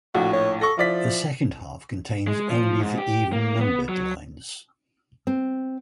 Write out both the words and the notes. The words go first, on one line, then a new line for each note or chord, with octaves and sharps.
The second half contains only the even-numbered lines.
A#1 A2 F#4
C#5
A4 C#6 A#6
F3 E4 D5 B6
G#3
F3
G#2
G4
A#3
B3
F#3
C4